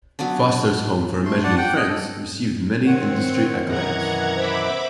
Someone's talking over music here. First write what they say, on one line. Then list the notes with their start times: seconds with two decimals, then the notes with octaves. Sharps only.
"Foster's Home for Imaginary Friends" received many industry accolades.
0.19 F#3 B3 C#4 D4
1.25 A3 C6
1.44 D5 F#5 A5
1.58 F#5 G5
1.76 D#5
1.89 A4
2.86 D#3 C4 C#5 F#5
3.66 F#2 B2 E3 F#5 A#5 G#6
4.36 C5 E5 B5 D6